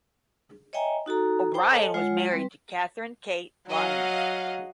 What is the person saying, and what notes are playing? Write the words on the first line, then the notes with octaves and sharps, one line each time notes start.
O'Brien was married to Catherine "Kate" Lyons.
C#5 D#5 E5 G5 G#5 A#5
D#4 F#4 A4 A#5
C5 G5 A#5 D6
A4 C#5 D#5 G#5 A5
G#3 F4 C#5 F#5
G3 C4 B4
F#3 D#5 F5 F#5